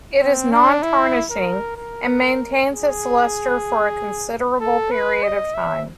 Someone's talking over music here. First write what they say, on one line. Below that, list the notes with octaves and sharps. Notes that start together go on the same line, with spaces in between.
It is non-tarnishing and maintains its lustre for a considerable period of time.
C4
D4
E4
A#4
A#4
G#4
A4
B4
D#5
E5